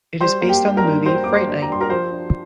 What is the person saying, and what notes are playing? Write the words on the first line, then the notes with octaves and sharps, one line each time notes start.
It is based on the movie "Fright Night".
G3 C5 C6
A#3
G4 G5
D4
A#4 A#5
G2
G3 C5 C6
A#3 D6
C5 C6
D4
A#5
G2 C6
A#4 A#5
F3 C5 C6
D4